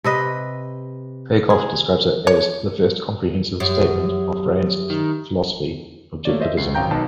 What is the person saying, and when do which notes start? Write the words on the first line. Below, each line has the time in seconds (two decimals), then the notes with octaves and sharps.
Peikoff describes it as "the first comprehensive statement" of Rand's philosophy, Objectivism.
0.04 C3 B4 D#5
1.50 G#4
2.27 C#5
3.60 F#2 G4 E5 D#6
4.90 D#3
6.25 A3 A#3 C#5 D5
6.40 C5 D#5 E5
6.57 C#2 C7
6.75 G#1 F#2 F5 G5 A#5 G6
6.91 B1 D#4 B4 F5 A5